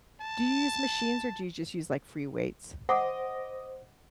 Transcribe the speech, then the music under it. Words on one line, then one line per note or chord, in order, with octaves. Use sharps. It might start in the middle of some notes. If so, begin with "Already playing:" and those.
do you use machines, or do you just use, like, free weights?
A5
C5 D#5 F#5 D6 D#6